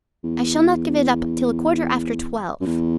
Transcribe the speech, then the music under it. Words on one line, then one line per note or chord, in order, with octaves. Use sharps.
I shall not give it up till a quarter after twelve.
E2
F#2
E2